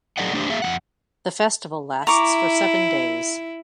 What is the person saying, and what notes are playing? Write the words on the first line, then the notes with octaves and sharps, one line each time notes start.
The festival lasts for seven days.
F#3 G#4 A#4 D5 D#5 F#5
A3 D4 G4 C5
A#3 G#4 E5 F5
F2 G#3 F#5
E4 A#5 C#6 D6